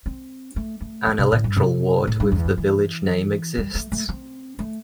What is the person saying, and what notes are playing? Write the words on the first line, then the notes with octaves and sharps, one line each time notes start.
An electoral ward with the village name exists.
C4
A3
A3
E3
C3
A2
G2
C3
A2
G2
E2
G2
E3
G3
A3
A3
C4
A3